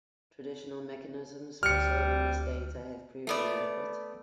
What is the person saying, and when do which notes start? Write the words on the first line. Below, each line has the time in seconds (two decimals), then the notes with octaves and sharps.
Traditional mechanisms for serving this data have proved inadequate.
1.63 D2 G3 F6 C#7
3.27 A3 B3 D5